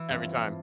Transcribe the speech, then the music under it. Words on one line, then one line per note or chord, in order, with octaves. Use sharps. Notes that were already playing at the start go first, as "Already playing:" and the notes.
every time.
Already playing: E3
G2 F3 C4 F4